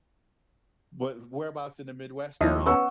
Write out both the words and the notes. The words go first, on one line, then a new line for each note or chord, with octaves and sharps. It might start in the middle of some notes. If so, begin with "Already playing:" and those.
but whereabouts in the Midwest are you?
D#2 F3 D#4 E4
B3 C#4 F#5 C#6 E6